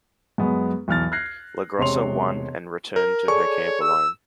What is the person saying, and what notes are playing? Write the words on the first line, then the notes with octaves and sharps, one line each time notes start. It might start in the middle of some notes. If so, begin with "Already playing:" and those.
LaGrossa won and returned to her camp alone.
F#2 G#3 B3
B1 E2 F6 A6
F6 F#6 G#6 A#6 C7
E1 C3 G#3 C#5 C6 F7
A#4
G#4 A4 C#5 D5 C#6
E6